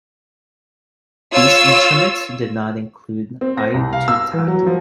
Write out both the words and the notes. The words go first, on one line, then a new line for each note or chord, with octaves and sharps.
These instruments did not include Aitutaki.
F4 C#5 E6
C4
A#6
C2
F5
E6
E3
F#3
F3